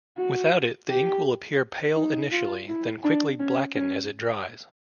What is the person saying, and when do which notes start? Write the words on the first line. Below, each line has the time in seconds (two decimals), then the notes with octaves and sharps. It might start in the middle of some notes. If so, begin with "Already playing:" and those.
Without it, the ink will appear pale initially then quickly blacken as it dries.
0.17 F#4
0.89 G4
1.96 D#4
2.32 F4
2.68 E4
3.04 D4
3.39 C#4
3.75 C#4